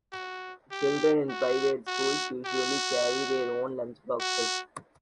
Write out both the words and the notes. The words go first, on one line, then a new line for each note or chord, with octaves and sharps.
Children in private schools usually carry their own lunch boxes.
F#4
G4
F#4
F#4
F#4
F#4